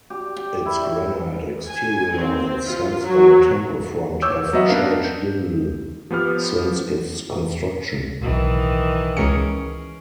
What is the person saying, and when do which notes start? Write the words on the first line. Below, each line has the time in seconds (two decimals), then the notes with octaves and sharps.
Its granite exterior and sandstone temple front have changed little since its construction.
0.10 G4
0.36 G5
0.66 E4
1.70 G#5
2.17 C4
2.66 F4
3.04 F#3
4.22 C#5 D6 E6 G6
4.53 F#3 B3 D#5 E5 F#5
4.68 B3 D4 A#4 F5
5.04 G6
6.11 F3 B3 G4 F6
8.21 D1 B1 D#3 E3
9.17 C#2 C#4 G#4 A#4 C#7